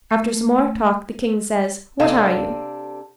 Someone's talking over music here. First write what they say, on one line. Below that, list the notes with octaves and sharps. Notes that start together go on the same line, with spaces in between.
After some more talk the king says, "What are you?"
A3
C3 D4 A4 F5 G#5